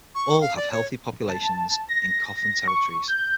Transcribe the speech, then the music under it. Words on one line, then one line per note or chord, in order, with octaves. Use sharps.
All have healthy populations in Cofan territories.
C#6
F5
D5
C#5
A5
A#6
C#6
G6